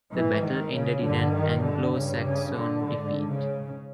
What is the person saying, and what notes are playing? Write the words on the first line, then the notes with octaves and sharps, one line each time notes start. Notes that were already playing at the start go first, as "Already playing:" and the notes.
The battle ended in an Anglo-Saxon defeat.
G#2 E3
D#3
C#3
G2 D3
D#3
D3
G2 C#3
C#3
D3
G#2 D3
C#3